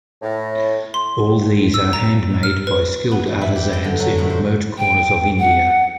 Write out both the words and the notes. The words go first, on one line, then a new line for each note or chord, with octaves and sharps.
All these are handmade by skilled artisans in remote corners of India.
A2
C6
E6
A#5
F6
B4
B3
E3
E4
G4
G5
D3
F#3
A2
C5
G5
F#5